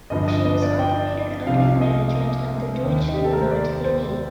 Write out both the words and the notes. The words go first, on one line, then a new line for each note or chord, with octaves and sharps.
She was operated under the management of the Deutsche Levant Linie.
G1 G2 F3 D#5
D#5
D#5
D5
G5
C2 C3 F3 F5
D#5
D#5
D#2 D#3
G4
A4
A#4
C5
D5
C5